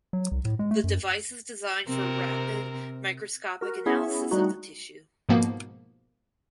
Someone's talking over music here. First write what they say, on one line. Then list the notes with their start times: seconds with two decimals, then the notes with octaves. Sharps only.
The device is designed for rapid microscopic analysis of the tissue.
0.13 F#3
0.31 C2
0.45 A2
0.59 G#3
0.71 A3
0.84 F#2
1.88 C3 C4 A#4
3.61 F#4 A#4
3.86 B3 C#4 E4 G#4 C#5 E5
4.31 G3 A3 D#4 F#4
5.29 G#2 B2 F3 A#3 B3